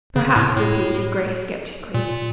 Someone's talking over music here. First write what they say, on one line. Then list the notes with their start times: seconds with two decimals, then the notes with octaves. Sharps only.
"Perhaps," repeated Grace sceptically.
0.16 C#3
0.36 A2
0.56 A2
1.94 A#2